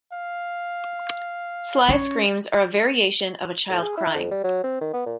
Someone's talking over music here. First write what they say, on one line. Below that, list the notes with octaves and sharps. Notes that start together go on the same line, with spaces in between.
Sly's screams are a variation of a child crying.
F5
C#4 C#5
A2
G#4
E4
F2
G3
F#3
C4
D#3
B3
A#2